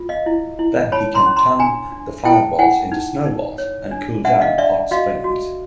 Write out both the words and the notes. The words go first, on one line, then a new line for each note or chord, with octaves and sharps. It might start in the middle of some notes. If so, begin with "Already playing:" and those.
Then he can turn the fireballs into snowballs and cool down hot springs.
Already playing: F4
D#5 F5
E4
E4
C#5 A5 B5
A#5 C6
C#4
A#5 C6
D4 G#5 A#5
D4
E4 G5 A5
E4 F#5 G#5
D#4
D#4
C#5
D4
D4 E5 F#5
D#5 F5
D4 D5 E5
F#4 D#5 F5
F#4